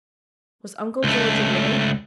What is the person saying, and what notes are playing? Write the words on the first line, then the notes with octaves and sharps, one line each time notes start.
Was Uncle George away?
C#2 A3